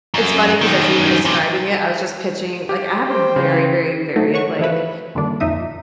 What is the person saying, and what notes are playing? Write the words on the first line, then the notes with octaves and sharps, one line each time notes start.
It's funny 'cause as you were describing it, I was just pitching like I have a very, very, very, like,
F#2
F#2 D#3
F#2 C3
G4
C5 G5
C#3
F#3 A3 D#4
C#5 F#5 C#6
E3 F3 E4 B4
F#2 A#2 D3 D#3 G3 D4
F2 A#2 D#4 E5 D#6